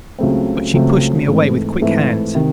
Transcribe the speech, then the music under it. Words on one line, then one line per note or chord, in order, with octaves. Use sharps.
But she pushed me away with quick hands.
C#2 C#3 F#3 A3 C4
C#2 C#3 F#3 A3 C4
G#2 E3 A3 C4 E4
G#2 E3 A3 C4 E4
C3 D#3